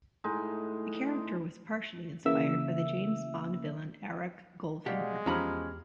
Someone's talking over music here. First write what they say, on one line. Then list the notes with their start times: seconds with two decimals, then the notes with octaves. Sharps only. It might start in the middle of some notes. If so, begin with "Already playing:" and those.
The character was partially inspired by the James Bond villain Auric Goldfinger.
0.24 A2 G#3 D#4
2.25 C#3 E3 A#3 E5 E6
4.86 B2 G#3 G4 D5 F5 F#5
5.26 E2 F3 C#4 G4 A#5 B5 F6